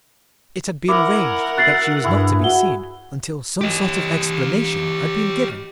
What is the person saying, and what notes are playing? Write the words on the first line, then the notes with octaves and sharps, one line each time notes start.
It had been arranged that she was not to be seen until some sort of explanation had been given.
E4 A#4 F#5 D6
F#4 E5 F#6 A6 C7
G2 E4 G#4 C#6
F#4 F#5 G7
G4 D#5